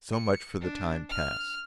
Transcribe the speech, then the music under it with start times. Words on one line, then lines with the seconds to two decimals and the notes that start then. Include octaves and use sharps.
So much for the time past.
0.13 C#7
0.61 D4
1.09 F6